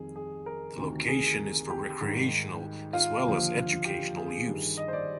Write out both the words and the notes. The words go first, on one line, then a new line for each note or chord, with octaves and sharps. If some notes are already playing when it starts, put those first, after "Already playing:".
The location is for recreational as well as educational use.
Already playing: F2 D#3 G3 G#4
G#4
A#4
D2 C3 D#3
G#4
G4
G#2 D#3 G3
F4
D#2 D3 F3
G4
G#4
G2 D#3 G3
D#5
C5
D5